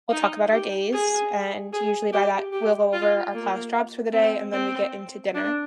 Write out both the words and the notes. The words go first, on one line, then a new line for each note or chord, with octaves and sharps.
we'll talk about our days and, usually by that we'll go over our class jobs for the day, and then we get into dinner,
D#4
G4
G#4
G#4
G4
G4
F4
A#3
C4
C4
D4